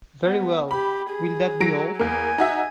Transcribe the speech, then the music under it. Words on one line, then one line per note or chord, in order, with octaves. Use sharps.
Very well, will that be all?
B3
G4 B5
G#4
F#3 A#6 D7
E2 A#3 G#5
D#4 F#4 E5